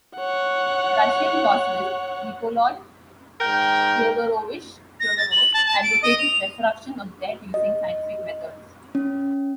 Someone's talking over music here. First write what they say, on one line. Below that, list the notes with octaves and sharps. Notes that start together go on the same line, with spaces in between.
Russian Cosmist Nikolai Fyodorovich Fyodorov advocated resurrection of the dead using scientific methods.
C#5 F#5
G#2 A#4 G5
A#6
A6
F#7
A5
A5
D7
D#5
F7
D#5
C#4